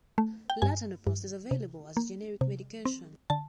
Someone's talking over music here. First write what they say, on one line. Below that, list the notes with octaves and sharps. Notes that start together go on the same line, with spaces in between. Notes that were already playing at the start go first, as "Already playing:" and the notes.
Latanoprost is available as a generic medication.
A3
G5
G2 G#5
G2
C3
A#3
C3
C4
D3 A5